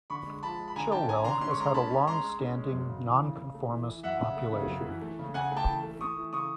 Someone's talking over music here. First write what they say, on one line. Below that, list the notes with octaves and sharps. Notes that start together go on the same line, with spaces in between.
Chilwell has had a long-standing non-conformist population.
D3 B5 C#6
G#3
F3 A5 B5
G#3
B5
D3 G#5 A#5
C#4 G5 A5
C#4 G#5 A#5
D3 A#5 C6
C#4 C6
C#6
G#3 A#5 C6
C#4 A5 B5
C#4
G#3 A#5 C6
G#3
C#4
G#3
F#2
C#3
E3
C#3
C#3
A3
E3
E3
F#2 E5 F#5
C#3
A3
C#3
F#2
E3
A3
C#3
C#3 F#5 G#5
A3
G5 A5
E3
A3
A3 C#6 D#6
E3
C#3 C#6 D#6